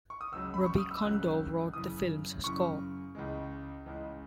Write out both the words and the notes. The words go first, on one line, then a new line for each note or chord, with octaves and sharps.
Robbie Kondor wrote the film's score.
C#6
D#6
C#2 C#3 F#3 E6
B5
C#6
D#6
E6
C#2 C#3 F#3 F#6
F#2 C#3 E3 D#6
F#2 C#3 E3 C#6
C#2 C#3 E3 G#3
C#2 C#3 E3 G#3